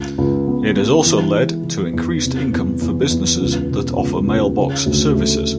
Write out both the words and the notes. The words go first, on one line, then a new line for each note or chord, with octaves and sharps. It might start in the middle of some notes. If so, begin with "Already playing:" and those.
It has also led to increased income for businesses that offer mailbox services.
Already playing: C#2
C#2
B3
B3
E3
G#3
E3
E2
C3
E2
E2
E2
C#2
B2
C#2
C#2
C#3
D2
A3